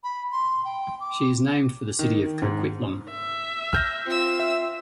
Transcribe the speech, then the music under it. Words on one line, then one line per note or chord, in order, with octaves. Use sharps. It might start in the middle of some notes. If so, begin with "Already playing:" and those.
She is named for the city of Coquitlam.
B5
C6
G5
D6
D#3
G#2
E5
F6 G6 A#6
C4 F4 E6
E5